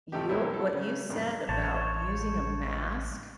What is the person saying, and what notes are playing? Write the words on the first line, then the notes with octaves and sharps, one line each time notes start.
You're what you said about using a mask
G#1 C3 F3 A3 D#4 G4
D2 B2 F#3 A#3 E4 C#5
E4 A4
C#3 C#4
C2 F2 G#2
A1 C5 C#5 A5